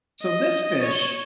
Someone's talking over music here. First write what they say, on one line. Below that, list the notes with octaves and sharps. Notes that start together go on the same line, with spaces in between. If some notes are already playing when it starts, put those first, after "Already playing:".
so this fish
D#5
C#5